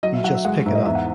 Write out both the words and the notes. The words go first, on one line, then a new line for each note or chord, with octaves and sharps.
You just pick it up.
F#3 D#5
E5
F#3 F#5
E5
G#3 F#5
G#2 E5
D#5
E2 E5
F#5